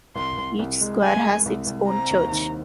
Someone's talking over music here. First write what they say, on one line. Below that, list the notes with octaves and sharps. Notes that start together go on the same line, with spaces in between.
Each square has its own church.
C2 C6
C2
C2
G#3
G#3 G#5
G#3
C2
C2
C4 A#5
D#2
D#3